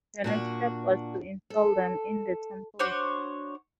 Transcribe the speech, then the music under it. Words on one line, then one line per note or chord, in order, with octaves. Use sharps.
The next step was to install them in the temple.
A#2 D4 F#4
A4
D4 F#4 C5 C#5